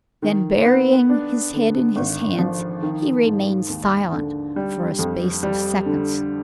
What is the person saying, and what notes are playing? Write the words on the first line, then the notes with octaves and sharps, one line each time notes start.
Then burying his head in his hands, he remained silent for a space of seconds.
D#3
B3
D4
D3
G#1
F3
D#3
G#2
D#2
D3
G3
F2
G3
D3